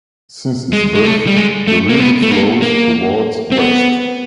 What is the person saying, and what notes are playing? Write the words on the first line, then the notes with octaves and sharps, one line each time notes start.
Since its birth, the river flows towards West.
G#3
G#3
A3
G3
G#3
A3
A#3
B3
A3
A#3
A#3
C4
B3